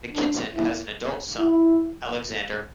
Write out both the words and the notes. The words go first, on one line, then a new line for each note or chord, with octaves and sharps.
Nikitin has an adult son, Alexander.
D4
E4
E4